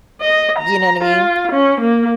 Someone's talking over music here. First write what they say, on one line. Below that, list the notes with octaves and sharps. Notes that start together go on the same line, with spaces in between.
you know, what I mean?
D#5
A#5
F4
C#4
A#3